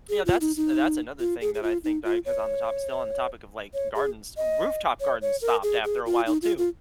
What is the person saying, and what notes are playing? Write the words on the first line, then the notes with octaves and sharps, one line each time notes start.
Yeah, that's that's another thing that I think I 'cause on the topi still on the topic of like gardens, rooftop gardens stopped after a while too,
G#4
F4
D#4
D#4
F4
G#4
G#4
F4
D#4
F4
C#5
C#5
G#4
D#5
C#5
C#5
A#4
G#4
G#4
F4
D#4
F4
F4